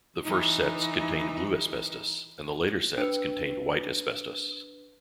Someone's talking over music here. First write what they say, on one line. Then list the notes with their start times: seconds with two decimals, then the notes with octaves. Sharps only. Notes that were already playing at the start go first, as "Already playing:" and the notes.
The first sets contained blue asbestos, and the later sets contained white asbestos.
0.24 E3 D#4
2.98 D4 B4